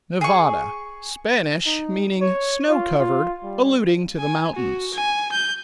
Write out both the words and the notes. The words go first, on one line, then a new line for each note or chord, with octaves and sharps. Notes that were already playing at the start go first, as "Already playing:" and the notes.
Nevada--Spanish; meaning "snow-covered," alluding to the mountains.
G#4 C#6
D#4
C#5
F4
F4
G3
G#5
F#4
G#5
G6